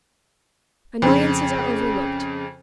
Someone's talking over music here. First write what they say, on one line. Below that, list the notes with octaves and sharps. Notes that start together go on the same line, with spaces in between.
Annoyances are overlooked.
F2 C#3